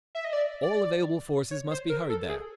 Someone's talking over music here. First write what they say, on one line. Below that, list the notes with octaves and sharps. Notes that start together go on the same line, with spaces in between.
All available forces must be hurried there....
E5
D#5
D5
D5
C#5
C5
A#4
A4
G#4